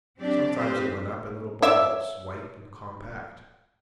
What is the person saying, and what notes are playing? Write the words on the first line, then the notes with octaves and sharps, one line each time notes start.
Sometimes it went up in little balls, white and compact.
F#3 C4 D4 G4 D5
C4 G4 B4 C5
C#5 D5 E5